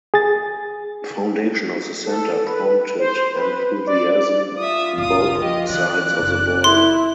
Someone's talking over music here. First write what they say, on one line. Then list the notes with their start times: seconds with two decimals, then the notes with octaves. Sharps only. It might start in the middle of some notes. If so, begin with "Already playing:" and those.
Foundation of the center prompted enthusiasm from both sides of the border.
0.14 G#4 A6
2.06 A4
2.47 B4
2.99 C5
3.34 B4
3.87 D5
4.59 F4 E5 D#6
4.97 F#1 B1 F5 D#6
5.40 F3 G4 D#5
5.69 E3 F#3 D5 F#6
6.20 F#1
6.64 E4 C6